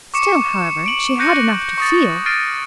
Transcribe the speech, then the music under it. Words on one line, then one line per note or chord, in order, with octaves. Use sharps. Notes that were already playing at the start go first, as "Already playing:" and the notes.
Still, however, she had enough to feel!
C#6 D6 C#7 E7
D7 F#7
F#6 G6 A#6 C#7 D#7
C#6 D#6 A6
F6 A6 A#6 C7 D7 D#7